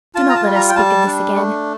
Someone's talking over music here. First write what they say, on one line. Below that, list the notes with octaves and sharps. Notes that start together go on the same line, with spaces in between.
Do not let us speak of this again.
F4 A5
A#5
A5
G3
A#5
G5
G3 A5
D4
A3